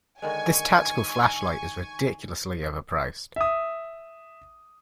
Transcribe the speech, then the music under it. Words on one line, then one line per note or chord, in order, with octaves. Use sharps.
This tactical flashlight is ridiculously overpriced.
D3 D#3 G#3 G#5 C#6
E5 D#6